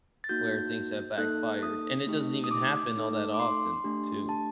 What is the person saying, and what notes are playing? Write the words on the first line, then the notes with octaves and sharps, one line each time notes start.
where things have backfired, and it doesn't even happen all that often too.
A6
A#3 D#4 F#4 G6
A#3 D#4 A4 F#6
D#6
A3 D#4 G4
D#6
D6
A3 D#4 A4
D6
C6
A3 D4 G4
A5